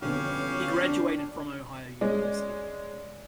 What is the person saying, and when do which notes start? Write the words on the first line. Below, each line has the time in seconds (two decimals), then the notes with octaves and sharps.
He graduated from Ohio University.
0.02 F2 B2 D3 G3 C#4 F5 C#6
0.50 F4
0.81 D4
2.01 G#3 C#4 D5